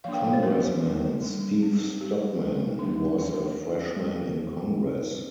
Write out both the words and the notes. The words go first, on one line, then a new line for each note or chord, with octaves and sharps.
Congressman Steve Stockman, who was a Freshman in congress.
F3 A#3 D4 F5
G5
F5
C5
F3 A#3 D4 A#4
G3 D4
G3 D4
G3 C4
G3 C4 G4
G3 C4
G3 C4 D4
F3 C4 D4